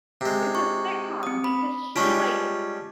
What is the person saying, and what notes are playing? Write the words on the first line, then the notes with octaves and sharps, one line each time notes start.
it's a sitcom because she, like,
C3 G#3
C#6
C4 D#6
B5
G3 G#3 C#4 F4 A5 C#6